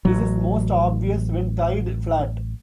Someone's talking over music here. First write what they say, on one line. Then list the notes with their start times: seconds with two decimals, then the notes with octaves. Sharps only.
This is most obvious when tied flat.
0.05 A1 F#3